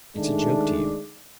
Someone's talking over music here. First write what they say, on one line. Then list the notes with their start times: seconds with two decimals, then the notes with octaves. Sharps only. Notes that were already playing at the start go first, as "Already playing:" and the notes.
It's a joke to you.
0.17 D#3 G#3 A3 D4